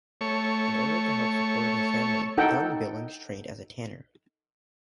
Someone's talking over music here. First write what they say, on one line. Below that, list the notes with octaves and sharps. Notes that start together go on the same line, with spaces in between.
In order to help support his family, young Billings trained as a tanner.
A3 C#5
D#4 A4 F#5 G5